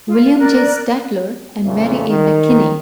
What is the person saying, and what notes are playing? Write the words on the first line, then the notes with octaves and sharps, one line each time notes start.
William J. Statler and Mary A. McKinney.
F4
A#4 D5 F#6
F2 A#2 C#3 A3
D#3